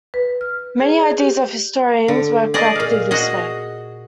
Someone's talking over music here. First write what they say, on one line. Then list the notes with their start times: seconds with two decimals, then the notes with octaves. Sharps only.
Many ideas of historians were corrected this way.
0.14 B4
0.41 F6
0.80 G#4
0.99 D5
1.20 G4
2.08 D3
2.54 G#4 D5 D#5
2.75 A#2 F5
3.11 F#4 G#4 D#5